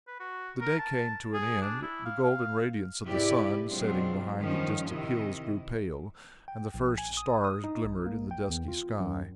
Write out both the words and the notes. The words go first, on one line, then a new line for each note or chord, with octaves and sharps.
The day came to an end, the golden radiance of the sun setting behind the distant hills grew pale, and the first stars glimmered in the dusky sky.
B4
F#4
A#4
A5
G#4
D4
E4
F5
F5
G#2 C3 E4 G4 B4 D5
B2 F#3 G#3 C4 D4 F4
G2 D#3 F3 C#4 D#4
C3 D#3 E4 D#5
G5
A#1
G#5
D#6
D#6
D#4
A#1
A#3
G5
E2
F4
F#2